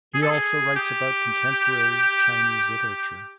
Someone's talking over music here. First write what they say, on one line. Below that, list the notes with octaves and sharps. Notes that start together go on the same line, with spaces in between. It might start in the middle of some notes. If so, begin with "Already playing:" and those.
He also writes about contemporary Chinese literature.
G#4
A4
G#4
G4